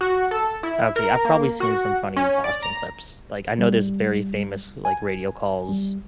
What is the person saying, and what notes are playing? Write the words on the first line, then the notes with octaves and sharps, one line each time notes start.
Okay, I've probably seen some funny Boston clips. Like, I know there's very famous, like, radio calls
F#4
A4
E4
A#4
A#3
F#4
C#4
D5
A#5
G3
G#5
G3